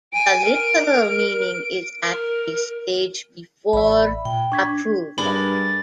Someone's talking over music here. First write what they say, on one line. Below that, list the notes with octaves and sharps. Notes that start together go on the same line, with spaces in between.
The literal meaning is at a stage before approval.
G#5 D7
A#4
A#4
A1 D5 E5 B5
A#2 G5
D4 C#6 G#6 B6
G2 D4 G#4 A#4 B5 A6